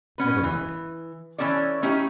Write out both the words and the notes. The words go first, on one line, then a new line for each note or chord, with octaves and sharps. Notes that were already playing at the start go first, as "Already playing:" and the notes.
Never mind.
B3 C#4 B4
E3
E3 G#3 C#4 A4 C#5 D5
A3 C#4 D#4 E4 G4